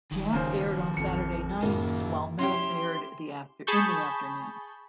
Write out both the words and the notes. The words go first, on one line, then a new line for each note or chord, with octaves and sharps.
"Jakked" aired on Saturday nights while "Metal" aired in the afternoon.
F#1 D#3 F#3
D#1 D#2 C#3 C5
A1 F2 C#7
F#1 A2 D#3 A#3
C#4 E4 G4 C6
G#4 A5 B5 C#6 G6